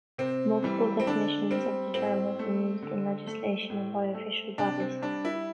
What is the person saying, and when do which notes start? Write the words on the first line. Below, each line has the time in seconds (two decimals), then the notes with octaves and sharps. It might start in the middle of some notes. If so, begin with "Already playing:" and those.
Multiple definitions of the term have been used in legislation and by official bodies.
0.18 C3 C4
0.63 E3 G3
1.00 C4
1.07 D3 D4
1.51 G3 C4
1.94 A2 C4
2.39 A3
2.82 D3
3.27 A3
3.70 A2
4.14 A3
4.58 C3 D4
4.80 C4
5.02 G3 D4
5.25 E4